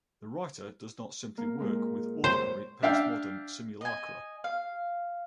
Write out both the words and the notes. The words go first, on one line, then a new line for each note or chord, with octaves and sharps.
The writer does not simply work with "ordinary" postmodern simulacra.
A#3
A#2 G#3 A#3
C5 C#5
D4 E5 F5 G5
D#5 G#5
F5